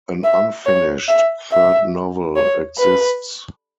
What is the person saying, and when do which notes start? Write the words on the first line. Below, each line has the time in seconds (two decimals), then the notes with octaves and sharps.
An unfinished third novel exists.
0.24 E5
0.66 C#5
1.08 E5
1.51 E5
2.36 C#5
2.78 B4